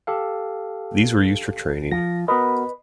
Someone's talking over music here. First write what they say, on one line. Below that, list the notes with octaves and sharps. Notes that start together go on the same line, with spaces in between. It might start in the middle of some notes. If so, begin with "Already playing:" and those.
These were used for training.
G4 A4 F5
F3 A#6
B3 F#4 A#4 B4 D#5